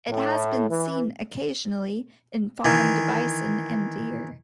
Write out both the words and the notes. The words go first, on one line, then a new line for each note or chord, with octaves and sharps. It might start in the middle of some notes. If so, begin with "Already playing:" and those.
It has been seen occasionally in farmed bison and deer.
A2
E3
D#3 E3